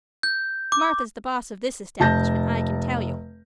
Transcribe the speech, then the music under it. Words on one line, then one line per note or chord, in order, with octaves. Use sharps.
Martha's the boss of this establishment I can tell you.
G6
D6
F1 A5 G6 A#6